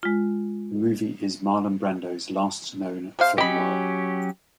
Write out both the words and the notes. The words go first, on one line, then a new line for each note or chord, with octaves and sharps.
The movie is Marlon Brando's last known film work.
G#3 F4
C3 C5 F5
F#3 C#4 G4 D#5 B5